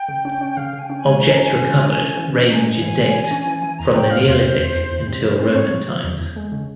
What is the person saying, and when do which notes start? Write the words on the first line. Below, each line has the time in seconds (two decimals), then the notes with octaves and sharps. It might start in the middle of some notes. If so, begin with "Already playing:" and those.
Objects recovered range in date from the Neolithic until Roman times.
Already playing: G5
0.08 C#3
0.25 C#4
0.41 C#4
0.57 C#3 F5
0.73 C#3
0.78 G#5
0.82 G5
0.90 C#4
1.00 G#5
1.06 G#3
1.21 E3 G#5
1.30 A#5
1.37 C#4 G#5
1.54 E3
1.69 G#3
1.86 C#4
2.02 C#4
2.17 E3
2.34 C#4
2.50 G#3 A#5
2.54 G#5
2.66 G#3
2.82 E3
2.99 G#3
3.14 E3
3.31 C#4
3.46 E3
3.62 E3
3.79 E2 A#5
3.95 F3 G5
4.11 C4 F5
4.27 E2 C5
4.43 C4
4.60 E2
4.75 E2
4.91 E2
5.07 C3 C5
5.24 F3 A#4
5.39 C4 C5
5.55 C4 C#5
5.72 F3
5.88 F3
6.04 E2
6.19 E2
6.36 G#3
6.52 C#3